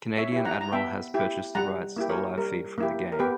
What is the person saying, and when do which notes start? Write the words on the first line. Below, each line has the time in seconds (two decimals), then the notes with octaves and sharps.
Canadian Admiral has purchased the rights to the live feed from the game.
0.18 C#5 E5
0.32 E4 G4
0.45 F#5 A#5
0.61 A#5
0.72 B3 E5 G5
1.14 E4 G4
1.55 G3 F#5 A#5
1.97 A#3 E4 G4
2.09 A#4 C#5
2.38 G3 A#4
2.78 A#3 E4 G4
3.12 A#4
3.19 B3 G4 B4